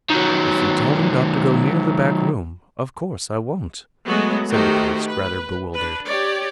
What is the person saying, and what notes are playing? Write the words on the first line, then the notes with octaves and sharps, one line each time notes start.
"If you tell me not to go near the back room, of course I won't," said the priest, rather bewildered.
D#3 F#3
F#3 G#3 A3 B3 F#4
D#3 A3 F#4 G4 C5
B4
D4 B4
G4 C#5 D5